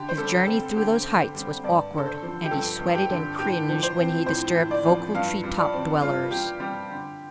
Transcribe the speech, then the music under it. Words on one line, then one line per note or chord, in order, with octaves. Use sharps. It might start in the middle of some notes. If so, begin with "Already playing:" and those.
His journey through those heights was awkward and he sweated and cringed when he disturbed vocal treetop dwellers.
Already playing: D3 G4
C5
G3 A4
C4 A4
D3 G4
D3
C5
G3
G2 D5
D3 A4
C5
F3
G4
G2 A4
G2
G4
D3
A2 G4
F3
C5
C4
A2 C5
A2
D5
F3
G2 F5
G3
D5
C4
G2 F4
G2 G4
G3 G4
D3